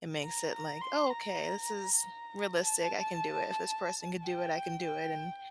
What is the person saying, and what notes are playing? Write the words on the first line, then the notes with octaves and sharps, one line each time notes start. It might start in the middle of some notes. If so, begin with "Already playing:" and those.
It makes it like, "Oh, okay, this is realistic, I can do it. If this person can do it, I can do it." And,
A#5
A#5
C6
A#5
A#5
A5
G5
G5